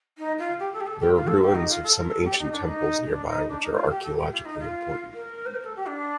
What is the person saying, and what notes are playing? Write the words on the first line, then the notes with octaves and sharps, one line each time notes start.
There are ruins of some ancient temples nearby which are archaeologically important.
D#4
F4
G4
A4
G4
A4
G4
F4
A4
G4
D#4
F4
A4
A#4
A4
G4
D#4
D4
D#4
D4
D#4
D4
D#4
F4
G4
A4
G4
F4
D#4
F4
A#4
C5
A#4
A4
G4
D4